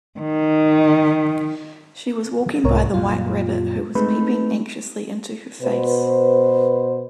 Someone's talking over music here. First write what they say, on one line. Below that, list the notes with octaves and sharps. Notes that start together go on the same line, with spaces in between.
She was walking by the White Rabbit, who was peeping anxiously into her face.
D#3
C2 G#2 A#4 C#5
F#2 A#2 F4
G#3 A3 C4 D#4 B4
B2 B4 C5